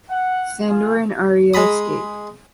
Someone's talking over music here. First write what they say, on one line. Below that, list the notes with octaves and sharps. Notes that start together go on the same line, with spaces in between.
Sandor and Arya escape.
F#5
F4 G#4
G#3 A#5 B5 D#6